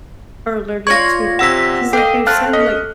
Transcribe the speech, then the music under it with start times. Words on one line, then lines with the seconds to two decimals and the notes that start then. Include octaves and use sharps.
are allergic to, like 'cause, like, they've said, like
0.87 F4 C#5 D5 C#6 G#6 A#6
1.39 C3 F#5 E6 A#6 B6 E7
1.93 A4 D#5 F5 G5
2.27 A3 C4 F5 A5 F6 F#6
2.53 C#4 D#5